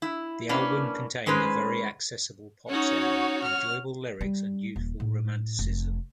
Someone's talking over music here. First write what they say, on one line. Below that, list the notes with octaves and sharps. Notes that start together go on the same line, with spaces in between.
The album contained a very accessible pop sound, enjoyable lyrics, and youthful romanticism.
E4
A#3 C#4 D4 B4
D#3 G#3 C#4 B4 C5
C#4 D#4 F#4 C#5
F6
G3
D#1
A2
F1